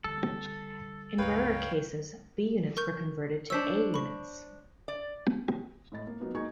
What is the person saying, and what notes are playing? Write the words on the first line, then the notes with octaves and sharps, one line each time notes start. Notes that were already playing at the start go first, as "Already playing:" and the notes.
In rarer cases, B units were converted to A units.
D3 G3 A4
C#2 G2 D#4 B4 C#5 F5 G5
A#4 C#6 G6
D4 C5 C#5 E6 B6
B5 C#6
D5
A2 A3 D#5 A6
A#3
F3 F#3 A#3 B3 D#4
A#3 D#4 F#4 G#4 C#6 G#6